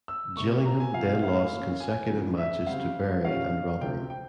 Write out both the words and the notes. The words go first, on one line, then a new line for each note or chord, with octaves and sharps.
Gillingham then lost consecutive matches to Bury and Rotherham.
E6
C3 G3 A#3 C#6
A#5
G#5
A#2 F3 C4 F5
F5
E3 A#3 C#4
G#5
C#3 F3 A#3
E5
C#3 G3 C4 F5
A#2 G3 C#4 F5
C3 F3 C4 G5
G5